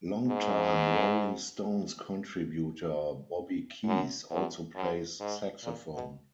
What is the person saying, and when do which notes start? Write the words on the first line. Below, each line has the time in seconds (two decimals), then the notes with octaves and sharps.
Longtime Rolling Stones contributor Bobby Keys also plays saxophone.
0.27 G#2
3.85 F#2
4.30 E2
4.75 F#2
5.20 G#2
5.64 A#2
5.93 B2